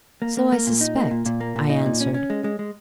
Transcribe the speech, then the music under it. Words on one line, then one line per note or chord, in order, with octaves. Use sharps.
'So I suspect,' I answered.
A#3
A#3
A#3
A#2
D#4
A#3
A#2
A#2
A#3
A#2
D#4
A#2
C#4
C#4
G#3
G#3
G#3